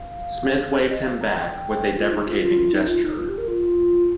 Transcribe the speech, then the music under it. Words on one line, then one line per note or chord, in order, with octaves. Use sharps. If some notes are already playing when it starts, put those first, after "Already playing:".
Smith waved him back with a deprecating gesture.
Already playing: F5
C5
D#5
F5
A#5
G5
F4
D#4
F4
F4
F4
D#4
F4
D#4
F4
G4
A#4
F4